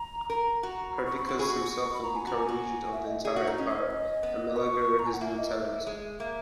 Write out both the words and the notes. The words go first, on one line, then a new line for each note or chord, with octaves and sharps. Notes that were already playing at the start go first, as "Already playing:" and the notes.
Perdiccas himself would become regent of the entire empire, and Meleager his lieutenant.
Already playing: A#5
A#4 A#5
F#4
B5
C#6
B5
F#4 C#6
G#4 B5
F#4 C#6
B5
A#5
G#5
F#4 A#5
G#5
F#4
E5
D#5
G#4 E5
F#4
D#4
C#4 D#5
D#5
B4
D#5
B3
C#6
A#5
G#5
F#5
A#3 E5
D#5
E5
G#3
A#3 E5